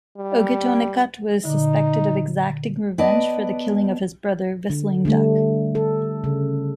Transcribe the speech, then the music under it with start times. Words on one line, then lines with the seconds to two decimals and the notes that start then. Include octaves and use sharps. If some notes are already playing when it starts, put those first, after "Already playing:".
Ogetonicut was suspected of exacting revenge for the killing of his brother, Whistling Duck.
0.17 G3
1.45 A#2 D3 D#4
2.98 B3 B4 D5 D#5 A5
4.70 D3
5.05 D3 G3 A3
5.75 A4
6.24 C#3